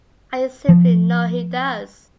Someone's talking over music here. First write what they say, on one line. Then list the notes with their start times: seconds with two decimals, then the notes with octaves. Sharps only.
I simply know he does.
0.69 F3